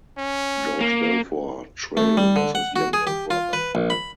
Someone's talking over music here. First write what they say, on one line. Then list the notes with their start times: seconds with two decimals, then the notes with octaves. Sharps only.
George Balfour Traill was his younger brother.
0.18 C#4
0.81 A#3
1.97 A3
2.17 G3
2.36 D3
2.55 F#5
2.76 F#4
2.93 G#4
3.07 G4
3.30 F4
3.53 B4
3.75 A#1
3.90 B5